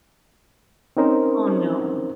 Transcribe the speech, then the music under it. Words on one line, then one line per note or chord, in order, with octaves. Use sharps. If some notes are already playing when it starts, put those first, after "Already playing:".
Oh, no.
C4 C#4 D#4 A#4 C5